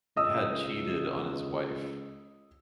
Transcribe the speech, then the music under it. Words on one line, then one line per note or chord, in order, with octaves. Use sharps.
had cheated on his wife.
C#2 D#5 D#6 E6